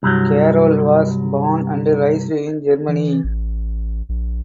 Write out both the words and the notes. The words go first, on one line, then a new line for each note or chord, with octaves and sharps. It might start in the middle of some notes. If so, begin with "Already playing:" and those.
Carroll was born and raised in Germany.
C2 G2 F#3
E3
A1
A#1